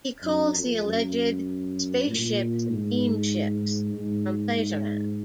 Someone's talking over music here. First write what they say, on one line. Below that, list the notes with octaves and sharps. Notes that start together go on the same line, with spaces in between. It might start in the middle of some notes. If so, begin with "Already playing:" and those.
He calls the alleged spaceships "beamships" from Plejaren.
F#2
F2
F#2
A#2
G#2
G#2
G#2